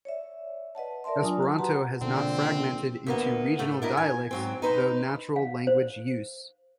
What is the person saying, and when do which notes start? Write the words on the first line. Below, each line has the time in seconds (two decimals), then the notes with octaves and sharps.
Esperanto has not fragmented into regional dialects through natural language use.
0.05 C#5 D5 E5
0.75 B4 D#5 F#5 A5
1.04 A#4 D5 E5 A5 C6
1.22 F#3 D4 F4 G#5 D#6
1.42 A5
1.58 F#4 G4 B4 F#5 A#5 C6
2.02 A#1 B2 D3 C4
3.07 D2 A#3 B3
3.59 A2 A3
3.82 D4 E4 A#4 D#5
3.97 G#5
4.31 G#2 F#3 C4
4.62 D#4 B4 C5
5.36 F5
5.67 C5